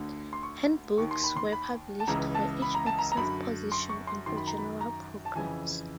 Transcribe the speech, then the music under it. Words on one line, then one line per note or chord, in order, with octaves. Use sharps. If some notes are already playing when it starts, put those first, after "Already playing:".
Handbooks were published for each officer position and for general programs.
Already playing: D2 D3
C6
C#6
D#2 D#3 C#6
C6
B5
C6
B5
A5
C#2 C#3 E3 A#5
A5
B5
A#5
A5
A#5
A#5
F#2 D3 B5
C6
C#6
C6
F#2 D#3 C6
B5
A#5
B5
A#5
A5
F2 C#3 E3 G#5